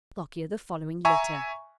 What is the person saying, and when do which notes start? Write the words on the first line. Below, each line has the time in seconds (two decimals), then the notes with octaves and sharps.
Lockyer the following letter.
1.05 E5 G#5 A#5 C#6